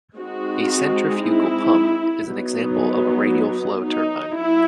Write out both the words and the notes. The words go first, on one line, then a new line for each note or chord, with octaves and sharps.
A centrifugal pump is an example of a radial flow turbine.
G#3 C4 D#4 F#4
E4
F#3 B3 D#4
D#4
F#3 E4